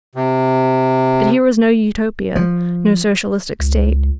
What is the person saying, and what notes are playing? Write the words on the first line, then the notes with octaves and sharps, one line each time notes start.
But here was no Utopia, no Socialistic state.
C3
F3
C#2